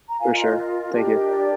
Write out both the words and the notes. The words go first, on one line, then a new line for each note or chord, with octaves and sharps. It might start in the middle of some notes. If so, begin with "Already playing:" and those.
For sure. Thank you.
A#5
F4 A#4 F5 G#5
D#5
D#5
D#5
D4 G4 A#4
D5